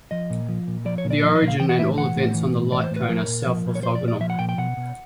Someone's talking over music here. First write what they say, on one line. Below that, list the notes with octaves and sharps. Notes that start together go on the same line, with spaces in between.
The origin and all events on the light cone are self-orthogonal.
F3 D#5
A#2
F3
A#2
F3 D5
C#5
A#2
D5
F3 D#5
D#5
A#2
F5
E3 G5
F#5
A2 E5
E3 F#5
A2
E3
A2
E3 D5
C5
A2
B4
F3 A#4
A#2
F3
A#2
C#5
F3 C5
D5
A#2
D5
F3 E5
F#5
A#2 G5
G5
B2 F#5
B2